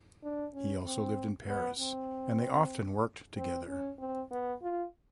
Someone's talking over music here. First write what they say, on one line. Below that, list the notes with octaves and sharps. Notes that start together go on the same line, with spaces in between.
He also lived in Paris and they often worked together.
D4
C#4
C4
B3
C4
C4
C#4
C4
B3
F4